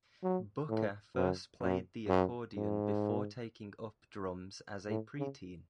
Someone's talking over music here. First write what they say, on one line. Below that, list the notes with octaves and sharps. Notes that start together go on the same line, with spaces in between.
Booker first played the accordion before taking up drums as a pre-teen.
F#3
A2
F#2
F#2
F#2
G#2
A2
C#3